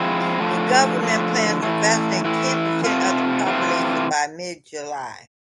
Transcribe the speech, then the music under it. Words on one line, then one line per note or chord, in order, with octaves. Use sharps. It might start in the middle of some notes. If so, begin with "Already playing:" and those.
The Government plans to vaccinate ten percent of the population by mid July.
Already playing: F3 G#3 C4 E4 G#4
D3 F3 A3
D3 F3 A3
E3 A3 E4
E3 A3 E4
C3 E3 A3 C4 F4
C3 E3 A3 C4 F4